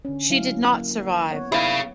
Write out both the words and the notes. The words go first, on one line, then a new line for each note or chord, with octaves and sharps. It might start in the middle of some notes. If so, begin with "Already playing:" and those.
She did not survive.
D3 C#4
F#3 E4 F5
A#3
B3 C#5 F#5
D#3 E4 G#4 F5